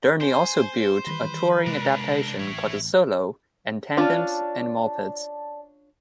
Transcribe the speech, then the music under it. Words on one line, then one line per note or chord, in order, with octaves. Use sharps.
Derny also built a touring adaptation called the 'Solo' and tandems and mopeds.
C5 G#5
D#3 E3 G3 B4
C3 G#3 D4 A#4
A1 E4 C#5
C#4 D4 F4 D5 A5